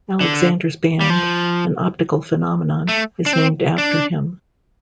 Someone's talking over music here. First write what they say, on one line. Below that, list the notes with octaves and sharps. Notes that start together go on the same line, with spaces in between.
Alexander's band, an optical phenomenon, is named after him.
D3
G3
F3
A3
D4
C4
D4